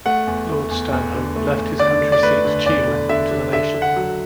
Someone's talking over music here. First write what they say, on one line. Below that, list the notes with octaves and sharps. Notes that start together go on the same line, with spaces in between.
Lord Stanhope left his country seat Chevening to the nation.
A3 F#5
E2
A3
E2
E2
D3
A3
E2
D3 D5
A3
D5
A3 B4
D3
E2 D5
D3
D3 E5
D3
D3 E5
D3
F#5
F#3